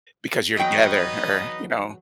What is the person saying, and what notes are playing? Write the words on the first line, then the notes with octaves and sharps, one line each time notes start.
Because you're together, or, you know.
E2 F#3 D#4 B4 D#5 G5